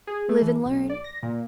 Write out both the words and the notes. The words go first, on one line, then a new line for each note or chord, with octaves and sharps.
Live and learn.
G#4
A3
E3
B1
D5
A#6
A#2